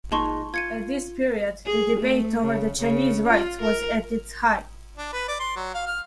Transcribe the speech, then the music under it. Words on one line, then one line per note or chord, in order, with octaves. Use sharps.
At this period the debate over the Chinese Rites was at its height.
A#2 G#3 D#4 A5 C6 C#6
F4 G#6 C#7 D#7
G#4
A3
C#3
C#3
F4
A#4
D4
B4
D5
C6
F#3
F5
F6